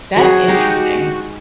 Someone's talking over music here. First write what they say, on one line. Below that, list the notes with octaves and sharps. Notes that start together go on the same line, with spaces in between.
That's interesting.
F#3 F#4 G#4
G#3 D#4 G4